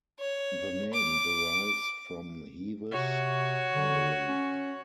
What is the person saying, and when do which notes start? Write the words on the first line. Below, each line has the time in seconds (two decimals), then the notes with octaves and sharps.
The name derives from Heves, Hungary.
0.20 C#5
0.94 D6
2.91 C3 F#4 C#5
3.73 D3
4.28 C#4